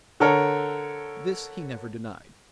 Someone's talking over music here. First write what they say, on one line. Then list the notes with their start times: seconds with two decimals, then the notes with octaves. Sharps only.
This he never denied.
0.20 D3 A4 A#4 C#5